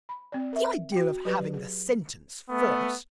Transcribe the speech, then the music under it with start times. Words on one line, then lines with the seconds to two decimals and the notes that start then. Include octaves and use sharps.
'The idea of having the sentence first!'
0.09 B5
0.32 C4 D5
0.53 A#4 E5
0.92 F#4 G5
1.25 F#3 G4 B4 D5
1.54 G#4
2.50 A3 B3